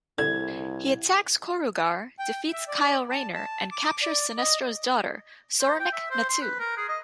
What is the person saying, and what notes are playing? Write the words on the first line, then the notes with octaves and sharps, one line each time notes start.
He attacks Korugar, defeats Kyle Rayner and captures Sinestro's daughter, Soranik Natu.
C2 D3 E4 G#6
G5
E5
D5
A5
A5
D6
D5
D#5
C5
G5
E5
C5
C6
B4
A#4
G#4
D#5